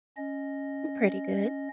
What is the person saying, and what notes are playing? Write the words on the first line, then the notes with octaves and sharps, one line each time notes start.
M pretty good.
C#4 D#5